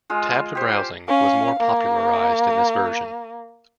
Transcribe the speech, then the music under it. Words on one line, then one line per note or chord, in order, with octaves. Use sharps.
Tabbed browsing was more popularised in this version.
G#3 F4
G4 C5
C#4 F5
A#3